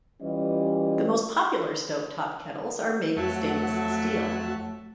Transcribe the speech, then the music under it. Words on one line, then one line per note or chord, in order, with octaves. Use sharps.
The most popular stovetop kettles are made with stainless steel.
E3 G3 C#4 F4 G4 D#5
F2 F#3 A3 F#4 E5 A5